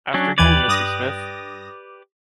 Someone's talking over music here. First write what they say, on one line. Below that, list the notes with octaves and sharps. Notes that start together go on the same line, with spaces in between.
After you, Mr. Smith!
F#3 C#4 D4
D#2 E3 G4 B4 D5 G#6
G2 D#6 A#6